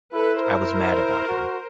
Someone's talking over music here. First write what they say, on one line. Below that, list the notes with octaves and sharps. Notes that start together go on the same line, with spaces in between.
I was mad about him.
E4 A4 B4
A#4 C5
F#4